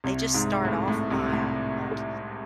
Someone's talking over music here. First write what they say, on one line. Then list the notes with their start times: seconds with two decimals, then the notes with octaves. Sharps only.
They just start off wild.
0.04 C2 C3
0.34 G#2
0.65 A2
0.88 A2
1.10 C2 C3
1.33 A2